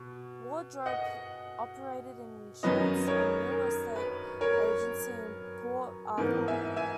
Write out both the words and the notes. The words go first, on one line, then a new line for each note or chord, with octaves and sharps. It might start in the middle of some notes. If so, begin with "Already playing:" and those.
Wardrope operated an insurance and real estate agency in Port Arthur.
Already playing: B2
D#5 F#5
F#2 D#3 F#3 C#4 B4 D#5
A#4 C#5
A#4
B4
A#4 C#5
G#2 E3 B3 D#4 A#4
E5 G#5
E5 G#5